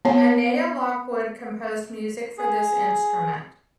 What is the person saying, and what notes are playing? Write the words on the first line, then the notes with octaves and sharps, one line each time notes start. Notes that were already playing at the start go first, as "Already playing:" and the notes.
Annea Lockwood composed music for this instrument.
B3 C#5
G#4